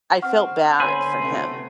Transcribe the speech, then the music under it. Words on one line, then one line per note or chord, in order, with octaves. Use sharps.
I felt bad for him.
C4 F#5 C#6 F6
D3 B3 C5 C#5 G#5 B5 C6 E6
C3 A3 B3